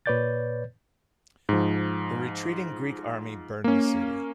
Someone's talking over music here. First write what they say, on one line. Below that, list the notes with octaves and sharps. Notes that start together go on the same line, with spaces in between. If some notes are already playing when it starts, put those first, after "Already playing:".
The retreating Greek army burned the city.
A#2 B4 C#5 D5 G6 A6
G#2 F3
A#3 C#4